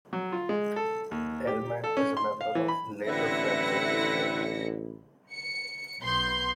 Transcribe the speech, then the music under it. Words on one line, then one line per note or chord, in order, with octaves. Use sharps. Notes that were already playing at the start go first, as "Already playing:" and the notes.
Ellman is a member of Labour Friends of Israel.
F#3
F4
G#3
A4
D#2
G4
A4
C#4
C6
F5
E3
B5
A1 D3 C4 E4 B4 E5 A#6 C#7
C#7
B1 B3 C6 G6